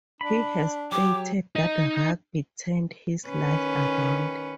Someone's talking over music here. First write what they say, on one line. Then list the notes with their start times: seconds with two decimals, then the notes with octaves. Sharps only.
He has stated that rugby turned his life around.
0.21 D4 B5
0.92 F#3 G4 D6
1.55 D#4 D#5
3.28 D#3 C#4 B4